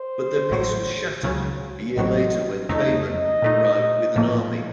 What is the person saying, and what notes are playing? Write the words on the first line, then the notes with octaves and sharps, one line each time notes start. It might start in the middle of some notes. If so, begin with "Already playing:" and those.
But their peace was shattered a year later when Khayman arrived with an army.
Already playing: C5
A1 A2 F#3
C#2 C#3 F#3
A1 A2 F#3 C4 D#5
F2 C#3 A3 D#4 D#5
D#5
A#2 A3 D#4
A#1 A2 F3 A#3